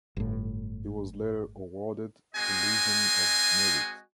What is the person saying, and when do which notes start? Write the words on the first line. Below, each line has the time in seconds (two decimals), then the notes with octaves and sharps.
He was later awarded the Legion of Merit.
0.17 G1 A2
2.35 G#3 C4 F#4 D#5 G#5